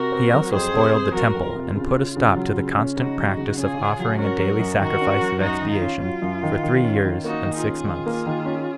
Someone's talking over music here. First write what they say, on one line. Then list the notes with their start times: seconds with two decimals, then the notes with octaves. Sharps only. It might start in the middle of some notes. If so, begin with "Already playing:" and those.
He also spoiled the temple, and put a stop to the constant practice of offering a daily sacrifice of expiation for three years and six months.
Already playing: C3 F#4 A#4
0.12 C4
0.33 F#3
0.53 F2 G#4 C5
0.74 C3
0.93 C4
1.14 F#3 F#4 A#4
1.35 F2
1.45 F4
1.55 C3
1.75 C#3
1.96 C#4
2.17 C#3
2.36 F#3
2.57 C#3
2.77 C#4
2.97 C#3 D#4 F#4
3.17 F#3
3.37 C#3
3.58 C#4 F4 G#4
3.79 C#3
3.99 F#3
4.19 C#4 F#4 A#4
4.40 F#3
4.59 F#2
4.80 D#3 F#4 A#4
5.01 C#4
5.22 F#3
5.41 F#2 D#4 F#4
5.61 D#3
5.71 F4
5.81 C#4
6.03 F#3 F4
6.22 F#2
6.43 D#3
6.63 D#3
6.84 C#4
7.04 D#3
7.24 A#3 D#4 F#4
7.45 D#3
7.55 F4 G#4
7.64 C#4
7.86 D#3
8.06 A#3
8.26 D#3
8.46 C#4